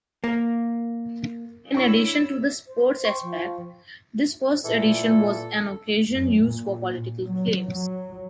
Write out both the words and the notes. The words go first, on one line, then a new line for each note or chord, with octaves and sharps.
In addition to the sports aspect, this first edition was an occasion used for political claims.
A#3
D4 E4 C#5 G5 C#6 E6
C5
G5 C6 C#6
F3
A#2 E3 A4
F#2
A#2
F#3
F#3